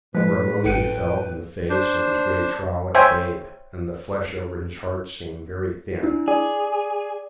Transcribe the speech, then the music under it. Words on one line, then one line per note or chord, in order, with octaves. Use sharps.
For a moment he felt in the face of his great trial like a babe, and the flesh over his heart seemed very thin.
A2 F3 G#3 B4
G#1 B4 G5 C#7 D#7
D4 C5
C5 C#5 E5 G5 G#5
D4 E4
G#4 D5